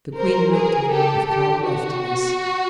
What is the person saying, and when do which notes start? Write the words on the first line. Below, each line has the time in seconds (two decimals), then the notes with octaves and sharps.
The queen looked at him with calm loftiness.
0.17 A#4 C5
0.54 G#4 A#4
0.91 G4 A4
1.29 G4
1.66 F#4